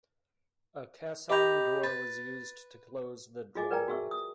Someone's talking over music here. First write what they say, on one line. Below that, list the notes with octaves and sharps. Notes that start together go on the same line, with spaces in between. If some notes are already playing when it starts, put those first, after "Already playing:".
A caisson door was used to close the dry dock.
G4 D#5 A#5 B5 G6
B4 A6
F4 F#4 G#4 D#5 G#5 D6
A#4 B4 D5 G5 G#5 A#5
F#4 G#4 E5 C#6 E6
D#6